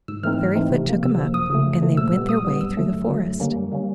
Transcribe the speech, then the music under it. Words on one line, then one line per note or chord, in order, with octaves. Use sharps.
Fairyfoot took him up, and they went their way through the forest.
G#2 E6
E3 A3 C4 D#4 F6
G#2
E3 A3 C4 D#4
C3
F3 A#3
C3 E6
F3 A#3
F#2 D#6
C#3 F3 A3
F#2
C#3 F3 A3
A#2 E6
G3 B3
A#2 D#6
G3 B3
F#2 E6
D3 F#3 A3
F#2
D3 F#3 A3
F#2
D3 G3 A#3 C#4
F#2
D3 G3 A#3 C#4